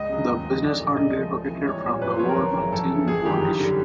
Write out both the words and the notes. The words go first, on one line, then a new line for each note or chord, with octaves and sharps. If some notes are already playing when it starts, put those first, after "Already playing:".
The business had relocated from the old manse in Bornish.
Already playing: C#2 D#5
C#3 F#3
D#2
C#3 F3
C2 D5
A#2 F#3 A3
C#2 D#5
C#3 F3 A3
C#2
C3 E3
C2 C#5
A#2 G3
F#2 B4
C5
C#3 F3 C#5
A#4
G#1
F#2 C#3 E3
F2 A4
C#3 E3
A1 G#4
G2 D#3 F#3 G4
F#2
D3 G3